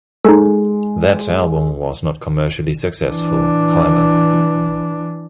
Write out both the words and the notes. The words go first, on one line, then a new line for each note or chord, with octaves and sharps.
That album was not commercially successful, however.
G#3 D#4 A4
E3 D4